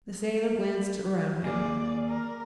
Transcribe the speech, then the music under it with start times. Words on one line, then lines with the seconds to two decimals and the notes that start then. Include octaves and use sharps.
The sailor glanced around him.
1.44 D#2 A#3 G#4 D5
2.09 A#4